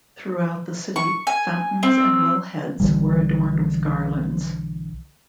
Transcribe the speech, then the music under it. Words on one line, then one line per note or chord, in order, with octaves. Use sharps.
Throughout the city, fountains and wellheads were adorned with garlands.
C#6
G#5
C4
B1 D3 E3 G3